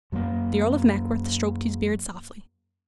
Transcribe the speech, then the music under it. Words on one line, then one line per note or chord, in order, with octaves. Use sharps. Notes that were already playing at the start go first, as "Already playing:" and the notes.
The Earl of Mackworth stroked his beard softly.
F#2 F#3 A3 A#3